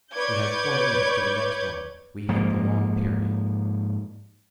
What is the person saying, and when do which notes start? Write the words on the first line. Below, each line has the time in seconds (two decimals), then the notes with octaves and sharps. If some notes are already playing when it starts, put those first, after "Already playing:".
"We have four minutes to the next one--we hit the long period!"
0.14 B4 C#5 D5 D6 G6 G#6
2.29 G#2 F3 A#3